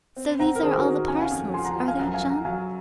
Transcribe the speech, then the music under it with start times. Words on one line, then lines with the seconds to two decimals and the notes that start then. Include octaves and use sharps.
"So these are all the parcels, are they, John?"
0.17 C4
0.39 C4 F#5 A#5
0.55 A#4
0.62 D#3 G#4 C5
0.78 F#4 A#4
0.85 D#3
1.08 C#4 G#5
1.16 F#5
1.22 F5 G#5
1.31 F2
1.54 F3 G#5 C6
1.65 F#5 A#5
1.76 F3
1.88 F5 G#5
1.99 F#2 F#5 A#5
2.14 F5 G#5
2.22 F#2
2.30 F#5 A#5
2.45 F#3 F5 G#5